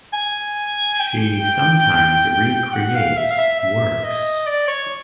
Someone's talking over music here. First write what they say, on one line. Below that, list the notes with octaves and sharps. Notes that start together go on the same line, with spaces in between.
She sometimes re-creates works.
G#5
G5
F#5
F5
E5
F5
E5
E5
D#5
D5
C#5